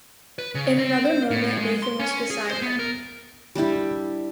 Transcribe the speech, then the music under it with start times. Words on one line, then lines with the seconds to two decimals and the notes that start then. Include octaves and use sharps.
In another moment Nathan was beside him.
0.39 B4
0.55 C#3
0.78 C4
1.05 C5
1.31 A2
1.58 G#3
1.83 C6
1.99 C#4
2.30 G#4
2.50 C5
2.62 B3
2.79 A#4
3.55 G3 D4 E4 G4